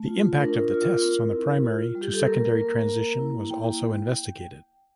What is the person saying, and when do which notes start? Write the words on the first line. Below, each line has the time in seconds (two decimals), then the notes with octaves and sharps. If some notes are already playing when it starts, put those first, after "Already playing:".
The impact of the tests on the primary to secondary transition was also investigated.
Already playing: A3
0.08 F4
0.40 D4 A#4
0.71 F4
1.01 C4
1.33 E4
1.65 F4
1.95 G3
2.01 G4
2.14 A4
2.26 A#3 A#4
2.57 A#3
2.89 A#3
3.19 E4
3.50 A#3 G5